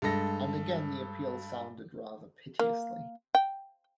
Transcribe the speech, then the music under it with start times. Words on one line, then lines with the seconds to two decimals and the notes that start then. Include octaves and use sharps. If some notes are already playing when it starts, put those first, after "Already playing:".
And again the appeal sounded rather piteously.
0.02 G2 G#3 A4 A#6
2.59 A#3
3.35 G5